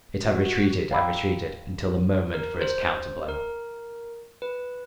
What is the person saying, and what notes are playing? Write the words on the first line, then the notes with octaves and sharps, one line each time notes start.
It had retreated and retreated, until the moment for its counter-blow.
F#4
F5 G5 A#5 B5 D6 E6
A#4
C5
A#4
B4